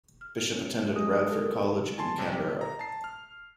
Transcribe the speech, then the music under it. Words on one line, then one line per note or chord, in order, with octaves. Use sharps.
Bishop attended Radford College in Canberra.
F6
C#4
G#3 G#4 D#6
A4 A#4
G#5 A5 C6
A1 C3 G3
G4
A#5
A5 C7
F6